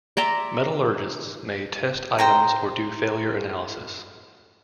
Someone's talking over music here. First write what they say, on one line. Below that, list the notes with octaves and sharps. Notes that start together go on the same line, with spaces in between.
Metallurgists may test items or do failure analysis.
D5 E5 A#5 C6
C5 G5 A#5